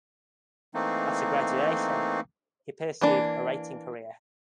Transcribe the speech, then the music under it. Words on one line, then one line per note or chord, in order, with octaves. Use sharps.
After graduation, he pursued a writing career.
E3 A3 A#3 C4 D#4
E3 A#3 D4